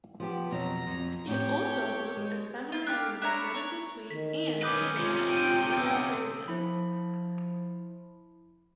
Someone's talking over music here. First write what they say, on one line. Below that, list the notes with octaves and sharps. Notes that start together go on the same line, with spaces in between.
It also hosts a seminar room, medical suite, and a gymnastics workout area.
F3 B3 G4
F2 B2 F#3 A#5
F2
A2 C4 G4 C#5
G#3
F4
D4 G4 F5
D4 E4 C#5 A#5
C#5
D#3 B6
C#4 B4 D6 D#6 G6
C3 C#4 F4
G5 D7 D#7
B3 D#6 E6
F3 E4 B5